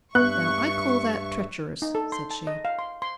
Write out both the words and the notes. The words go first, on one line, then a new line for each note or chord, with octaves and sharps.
'Now, I call that treacherous,' said she.
G2 B3 E5 C#6 F#6
D#4
A4
C6
A5
D#5
F5
C6
C6